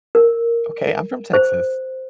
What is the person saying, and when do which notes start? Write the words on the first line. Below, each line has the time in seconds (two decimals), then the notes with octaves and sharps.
Okay, I'm from Texas.
0.15 A#4
1.33 C5